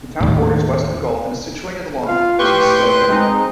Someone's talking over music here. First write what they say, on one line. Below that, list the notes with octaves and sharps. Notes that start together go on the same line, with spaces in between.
The town borders West Bengal and is situated along the Teesta river.
D#2 A2
F4 F5
A2 G4 B4 G5 C6 C#6
C6
G#3 C4 D#4